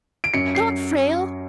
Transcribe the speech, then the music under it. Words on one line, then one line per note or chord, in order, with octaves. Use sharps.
Don't, Frale.
D7
F#2 C#7
C7